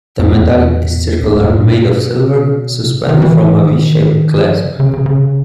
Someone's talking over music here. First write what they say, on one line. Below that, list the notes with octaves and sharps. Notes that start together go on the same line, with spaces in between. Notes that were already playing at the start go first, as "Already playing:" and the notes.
The medal is circular, made of silver, suspended from a V-shaped clasp.
F2
E2
E2
A2
A#2
B2
C3
D#3
E3
D#3
F3
C#3
C#3
C#3
C#3